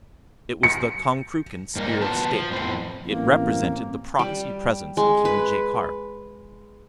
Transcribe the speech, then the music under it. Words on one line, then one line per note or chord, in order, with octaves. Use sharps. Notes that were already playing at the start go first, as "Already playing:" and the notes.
It was the Konkrookan Spear of State; it represented the proxy-presence of King Jaikark.
C#7
G#2 G3 A#3 D#4
B3 F4 F#4 B4 A5
F3
F2 A2 B3 C5
A1 A#3 C4
G3
G#3
B4